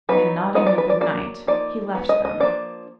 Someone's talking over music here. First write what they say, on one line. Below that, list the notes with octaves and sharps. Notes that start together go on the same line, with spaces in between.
And nodding a good-night he left them.
F#3 B3 D#4 B4
F3 B3 D#4 D#5
D5
B4
D5
F#3 A#3 D4 D5
F3 A#3 D#4 D5
G#3 B3 D#4
D#5
D#5
F3 A#3 D4 D5